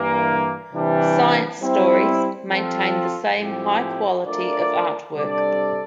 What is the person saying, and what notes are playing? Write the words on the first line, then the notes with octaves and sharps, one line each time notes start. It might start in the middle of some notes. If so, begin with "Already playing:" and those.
"Science Stories" maintained the same high quality of artwork.
Already playing: G2 E3 A#3
C3 E3 G3 D4
G3 C4 E4
F3 C4 F4 A4
A2 F3 C4 E4 G4
A3 D4 F4 A#4 D5
C3 G3 D4 A4 D5